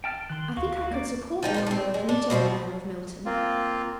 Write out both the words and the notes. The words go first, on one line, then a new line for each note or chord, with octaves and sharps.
'I think I could support the honour of meeting the mayor of Milton.
G5 A5 F6
D#3 C6 F#6
D2 F#4 F5 C#6
A#3 D5 D6
F3 D#4 G5
D#3 B3 C4
A3 C4
G#3
D4
B2 F3 B3 C4
A#3 C4 F4